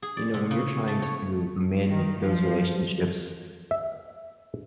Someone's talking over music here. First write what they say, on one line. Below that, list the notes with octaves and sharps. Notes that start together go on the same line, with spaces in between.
you know, when you're trying to amend those relationships,
G#4
D5
C3
C#3
C#5
A3
C#5
D#3
F3
E5